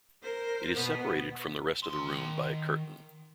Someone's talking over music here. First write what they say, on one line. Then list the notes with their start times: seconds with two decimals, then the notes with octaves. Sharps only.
It is separated from the rest of the room by a curtain.
0.22 A#4 C5
0.73 B2 B3
1.83 D#3 C6